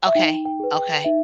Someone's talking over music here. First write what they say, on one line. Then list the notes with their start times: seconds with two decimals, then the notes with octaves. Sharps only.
Okay. Okay.
0.07 E5
0.15 D#4 G5
0.45 G5
0.60 G#4 B4
0.75 G5
1.04 D#4 E5